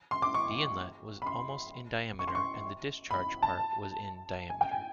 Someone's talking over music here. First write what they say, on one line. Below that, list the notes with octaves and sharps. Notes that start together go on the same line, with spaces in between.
The inlet was almost in diameter and the discharge part was in diameter.
C6
D6
C#6
B5
C6
C#6
C6
C#6
B5
A5
G#5
G5
G#5